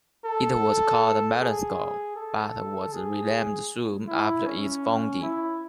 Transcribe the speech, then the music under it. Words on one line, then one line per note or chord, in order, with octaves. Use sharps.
It was called Mellenskov, but was renamed soon after its founding.
A4
G#4
A4
G#4
E4
C#4
E4